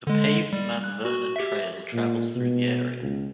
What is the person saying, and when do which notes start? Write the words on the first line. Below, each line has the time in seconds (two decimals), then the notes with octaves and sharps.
The paved Mount Vernon Trail travels through the area.
0.07 D3 G#3
0.53 G3
0.84 F#6
1.05 F#4
1.36 G4 E5
1.93 A#2
2.35 B2
3.02 C#2